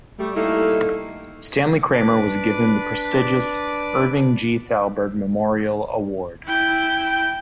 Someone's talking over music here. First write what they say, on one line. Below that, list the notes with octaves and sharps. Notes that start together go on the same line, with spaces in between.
Stanley Kramer was given the prestigious Irving G. Thalberg Memorial Award.
G3 A3
G3 A3 A#3 D#4 E4
D4 B4 D5 D6
E4 G5